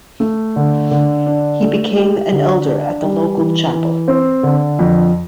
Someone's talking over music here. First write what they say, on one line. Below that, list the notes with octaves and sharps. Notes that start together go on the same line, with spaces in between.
He became an Elder at the local chapel.
A3
D3
D3
D4
A3
G4
D3
D4
G3
E3
E3
C4
D3
F2